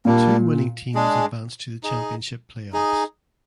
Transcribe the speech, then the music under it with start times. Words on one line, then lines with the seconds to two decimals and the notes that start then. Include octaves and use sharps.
The two winning teams advanced to the championship playoffs.
0.05 A#2 G3 A#3 D4
0.95 G#3 D4 G#4
1.83 D#4 G#4 D#5
2.73 D#4 G#4 D#5